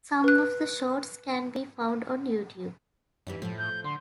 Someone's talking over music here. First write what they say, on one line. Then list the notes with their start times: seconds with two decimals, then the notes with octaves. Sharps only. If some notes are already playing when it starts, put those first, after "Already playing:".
Some of the shorts can be found on YouTube.
0.24 B4 F#6
3.27 F#2 E3 G3 D#4
3.42 A2 F3 A3 F4
3.58 G6
3.84 D3 C6